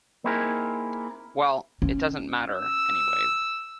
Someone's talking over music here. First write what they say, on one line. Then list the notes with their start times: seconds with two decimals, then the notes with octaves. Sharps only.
Well, it doesn't matter, anyway.
0.24 A#3 C4 D#4 E4 G#4 A#4
1.82 C#4
2.51 E6